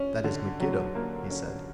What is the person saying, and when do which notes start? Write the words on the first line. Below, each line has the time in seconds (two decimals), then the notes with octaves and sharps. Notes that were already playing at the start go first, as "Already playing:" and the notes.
"That is Megiddo," he said.
Already playing: C#4
0.24 D3
0.60 F#3
0.95 A#3
1.30 C#4